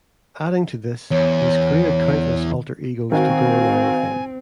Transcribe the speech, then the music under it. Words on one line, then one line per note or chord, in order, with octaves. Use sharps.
Adding to this, he's created countless alter egos to go along with them.
E2 C#5
D#3 C4 F#4 F5 G#5